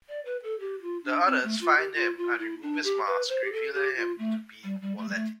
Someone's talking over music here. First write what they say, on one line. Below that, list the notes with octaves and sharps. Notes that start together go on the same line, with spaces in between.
The others find him and remove his mask, revealing him to be Moletti.
D5
B4
A4
G4
F4
D4
C4
A3
F4
G4
F4
F4
E4
D4
G4
B4
C5
G4
A4
G4
F4
A3
G3
G3
A3
G3
A3